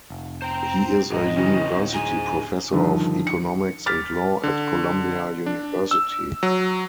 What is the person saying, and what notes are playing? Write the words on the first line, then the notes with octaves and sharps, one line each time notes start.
He is a University Professor of economics and law at Columbia University.
F1
C5 G5 A#5
A1 F#3 G#3 D#4 D#5
C#3 E3 C4 D#4 C#5
D1
D#4 G#4 G#5
G2 D3 D#3 F3
C#7
D6 F6 A6 B6
D3
D4
E6
F#3